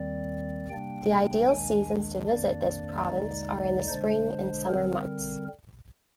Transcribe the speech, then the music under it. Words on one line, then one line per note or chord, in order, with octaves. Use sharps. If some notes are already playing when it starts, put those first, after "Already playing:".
The ideal seasons to visit this province are in the spring and summer months.
Already playing: D#2 D#3 G3 C4 D5
C3 G3 A#3 D4 G5
G5
D#2 D#3 G#3 D4 G#5
F2 D#3 A#3 D4 D5
D#2 D3 G#3 D#4
D3 G#3 D4 C5
D3 G3 C4 A#4